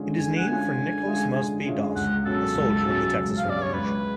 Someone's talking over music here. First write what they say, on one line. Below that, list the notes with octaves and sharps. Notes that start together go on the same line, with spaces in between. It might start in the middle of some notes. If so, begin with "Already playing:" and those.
It is named for Nicholas Mosby Dawson, a soldier of the Texas Revolution.
Already playing: D3 G#3 C#4 F4
D3 G#5
F#5
G#3 C#4 F4 G#5
D3
G#3 C#4 F4
D3
G#3 C#4 F4
C#2 F#5
B2 F#3 C#4 A4
C#2
B2 F#3 C#4
C#2
F5
B2 F#3 C#4
D5
C#5
C#2 B4